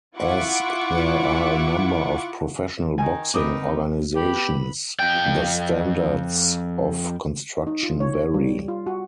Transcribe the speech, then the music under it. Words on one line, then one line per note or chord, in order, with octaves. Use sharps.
As there are a number of professional boxing organizations, the standards of construction vary.
E4 F4 F#5 C#6 D6
D#3 G#5
C4 D#4 A#4 B4 D6 D#6
B3 G4 B5
F2 G5
D#4
F4
C#5
G3
F4
F#4